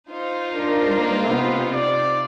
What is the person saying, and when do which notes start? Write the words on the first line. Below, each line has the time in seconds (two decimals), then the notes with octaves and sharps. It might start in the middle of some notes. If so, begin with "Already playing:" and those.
like, the low-ri
0.11 D#4 F4 C5
0.53 D4 A#4
0.97 A#3
1.28 C3 B3
1.74 D5